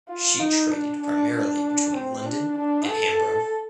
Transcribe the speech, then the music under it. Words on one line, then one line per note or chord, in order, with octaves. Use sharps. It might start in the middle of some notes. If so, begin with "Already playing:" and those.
She traded primarily between London and Hambro.
F4
D#4
D4
D4
D4
C4
D4
D4
A4